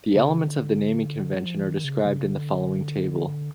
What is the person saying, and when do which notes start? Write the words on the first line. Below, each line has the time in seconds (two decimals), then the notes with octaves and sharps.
The elements of the naming convention are described in the following table.
0.14 C#3
0.44 D3
1.35 F#3
1.45 F3
1.55 E3
1.65 D#3
1.84 C#3
2.05 C#3
2.25 D3